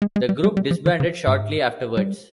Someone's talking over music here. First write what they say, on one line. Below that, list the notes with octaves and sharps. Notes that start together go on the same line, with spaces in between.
The group disbanded shortly afterwards.
G#3
G#3
G3
G3
G3
F3
D#3
C#3
G#2
G2
G#2
G3